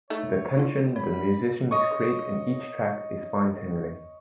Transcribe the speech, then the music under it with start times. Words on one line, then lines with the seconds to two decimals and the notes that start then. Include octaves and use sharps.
The tension the musicians create in each track is spine tingling.
0.10 A3 D#4 C#5
0.57 B3 D4 F4
0.96 C#5 B5
1.71 C#5 D#5